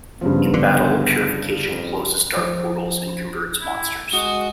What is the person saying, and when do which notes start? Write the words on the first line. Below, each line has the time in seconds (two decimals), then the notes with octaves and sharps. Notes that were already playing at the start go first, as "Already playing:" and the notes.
In battle, purification closes dark portals and converts monsters.
0.21 G2 C#3 F3 B3
0.54 D3
1.67 F2
2.37 F3
3.61 E4
4.13 G#3 F#4 D#6